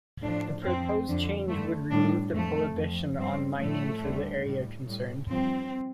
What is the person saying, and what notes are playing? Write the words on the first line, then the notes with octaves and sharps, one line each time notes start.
The proposed change would remove the prohibition on mining for the area concerned.
A2 F3 D4
F2 F3 C4
F2 D3 F3
G2 D3 G3 A3
A2 G3 D4
F2 F3 A3
F2 F3
G2 G3 C4
A2 F3 A3
D2 D3 G3
A2 G3
A2 G3
G2 F3 C4